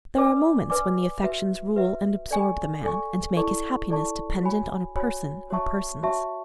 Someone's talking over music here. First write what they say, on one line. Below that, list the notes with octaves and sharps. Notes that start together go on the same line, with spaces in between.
There are moments when the affections rule and absorb the man and make his happiness dependent on a person or persons.
B4 D5 G#5 D6
B4 D5 G#5 D6
F#4 B4 E5
F#4 B4 E5
A4 D5 G#5 C#6
A4 D5 G#5 C#6
E4 A4 D5 A5 C#6
E4 A4 D5 A5 C#6
F#4 C#5 G#5 B5
F#4 C#5 G#5 B5
F#4 C#5 E5 A5 C#6
F#4 C#5 E5 A5 C#6